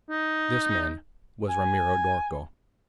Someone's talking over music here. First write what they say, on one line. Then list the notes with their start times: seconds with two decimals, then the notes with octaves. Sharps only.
This man was Ramiro d'Orco.
0.10 D#4
1.49 G#5